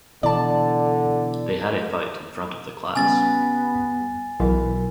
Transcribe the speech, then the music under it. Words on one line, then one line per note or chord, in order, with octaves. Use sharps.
They had a fight in front of the class.
B2 D3 E3 D5 A5
C#3 G3 B3 G#5 A6
B1 E3 A#4